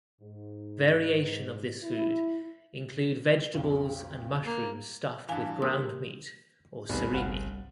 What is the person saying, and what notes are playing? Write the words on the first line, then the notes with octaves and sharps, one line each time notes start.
Variation of this food include vegetables and mushrooms stuffed with ground meat or surimi.
G#2
E4
B1 F2 F5
A#3
G2 E3 F5 G#5
A#3 G4 C6 D#6 E6
F1 C2 G2 G3 B3 B4
G1 F5 F#5 B5